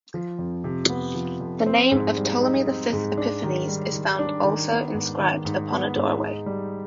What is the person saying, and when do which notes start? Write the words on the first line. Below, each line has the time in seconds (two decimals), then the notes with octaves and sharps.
The name of Ptolemy the Fifth Epiphanes is found also inscribed upon a doorway.
0.14 F3
0.39 F2
0.64 C3
0.89 B3
1.14 F3
1.40 F2
1.66 C4
1.91 G#2
2.17 G3
2.41 D#4
2.67 C4
2.93 G#2
3.17 D4
3.43 D#3
3.68 G3
3.93 D#3
4.19 D4
4.44 D#3
4.70 B3
4.94 G#2
5.20 D#3
5.45 G#2
5.71 B3
5.96 G#2
6.21 D#4
6.46 G3